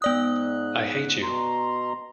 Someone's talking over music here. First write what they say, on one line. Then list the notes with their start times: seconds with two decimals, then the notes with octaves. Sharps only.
I hate you!
0.02 G#2 B3 D5 D#6 F#6
1.23 B2 A#5 C6